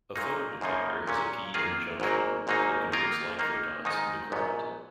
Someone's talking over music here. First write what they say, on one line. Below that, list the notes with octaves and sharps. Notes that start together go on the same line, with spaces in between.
A photo detector has a p-n junction that converts light photons into current.
A#2 F#3 A#3 D#4
F#2 C#3 F3 A#3 D#4
A#2 F#3 C#4
D#3 A#3 F4 G#4
G#1 G#2 F#3 A#3
G#1 G#2 F#3 A#3 D#4
D#3 A#3 F4 A#4
D#3 A#3 D#4
G#2 D#3 G#3 D#4
A#1 G#2 F#3 B3